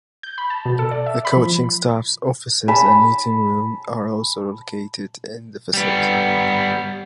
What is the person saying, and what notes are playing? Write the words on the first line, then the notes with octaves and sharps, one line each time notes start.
The coaching staff's offices and meeting room are also located in the facility.
G6
B5
A5
B2
A4
D5
E5
B5
F3
A5 B5
G3 B3